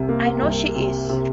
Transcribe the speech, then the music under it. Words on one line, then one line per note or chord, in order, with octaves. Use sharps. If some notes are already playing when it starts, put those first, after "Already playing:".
I know she is.
Already playing: C2 C3
A#3
C2
C3
C3